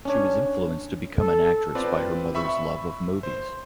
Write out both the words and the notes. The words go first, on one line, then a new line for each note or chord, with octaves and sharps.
She was influenced to become an actress by her mother's love of movies.
C#4 D4 C#5
A4
C4 F4 B4 D5
E5 B5 C#6 E6
C5